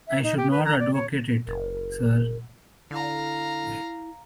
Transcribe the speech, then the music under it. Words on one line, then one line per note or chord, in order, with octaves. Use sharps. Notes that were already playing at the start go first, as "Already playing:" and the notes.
I should not advocate it, sir.
E5
D#4
G4
B4
A#5
D5
C#5
F#1 A#4
D3 E4 F5 A#5